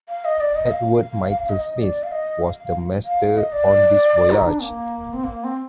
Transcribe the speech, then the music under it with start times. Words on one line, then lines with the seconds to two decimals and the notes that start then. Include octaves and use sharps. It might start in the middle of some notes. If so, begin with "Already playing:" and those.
Edward Michael Smith was the master on this voyage.
0.09 F5
0.25 D#5
0.40 D5
0.55 D#5
0.71 F5
1.49 D#5
1.80 D5
2.03 F5
2.12 D#5
2.43 F5
3.05 F5
3.37 D#5
3.52 D5
4.30 D#4
4.46 D4
4.61 A#3
5.13 C4
5.24 A#3
5.44 C4